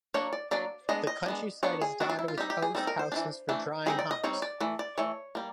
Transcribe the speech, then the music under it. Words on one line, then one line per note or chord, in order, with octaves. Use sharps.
The countryside is dotted with oast houses for drying hops.
F#3 A#3 D4 C#5
D5
F#3 A#3 D4 D5
G#3 B3 D4 D#5
D#5
G#3 B3 D4
F#3 B3 D4 C#5
G#4
F#3 B3 D4 F#4
F4
E4
F4
G3 C4 D#4 G4
G4
G#4
G3 C4 D#4 A4
A#4
C5
E3 A3 D4
E3 A3 D4
G3 C4 D#4 G#4
D5
D#5
G3 C4 D#4 C#5
D5
E3 A3
D5
E3 A3 C#5
G3 A#3